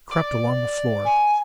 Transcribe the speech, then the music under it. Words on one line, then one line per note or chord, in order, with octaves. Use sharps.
I crept along the floor.
D5
G#5